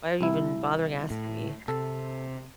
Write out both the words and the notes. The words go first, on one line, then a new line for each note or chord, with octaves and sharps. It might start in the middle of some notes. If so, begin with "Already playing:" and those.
why are you even bothering asking me?”
C2 E4
A2
C3 A4